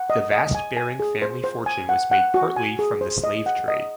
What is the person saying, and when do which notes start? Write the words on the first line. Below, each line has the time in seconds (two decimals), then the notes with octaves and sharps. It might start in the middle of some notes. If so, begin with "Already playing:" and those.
The vast Baring family fortune was made partly from the slave trade.
Already playing: F#5
0.10 D#5
0.32 D#5
0.55 G#5
0.77 G#5
1.00 G#4
1.22 C5
1.44 C5
1.66 G#5
1.89 F#5
2.11 F#5
2.34 F#4
2.56 G#5
2.79 G#4
3.01 C5
3.24 D#5
3.46 F#5
3.68 D#5